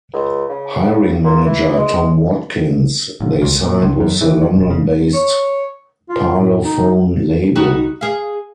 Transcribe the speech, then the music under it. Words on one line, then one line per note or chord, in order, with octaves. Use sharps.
Hiring manager Tom Watkins, they signed with the London-based Parlophone label.
C#2
C#3
A#2
E3
G#3
A1
C#2
A#2
C#2
F#2
E3
F2
E1
C#3
C#5
F4
A2
D#4
G3 D#4 F#4
G#4 F5